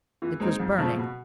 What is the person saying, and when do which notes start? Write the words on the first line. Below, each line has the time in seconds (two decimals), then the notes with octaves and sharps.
It was burning.
0.22 E3
0.40 G#3 C4 D#4
0.60 F2
0.78 C#3 F3 A3 C4
0.97 B2